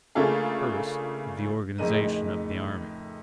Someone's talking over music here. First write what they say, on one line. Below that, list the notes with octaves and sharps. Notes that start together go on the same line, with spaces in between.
First, the organization of the army.
C#3 A3 A#3 D4 F4 G#4
F2 A2 C#3 D#4 A#4 D#7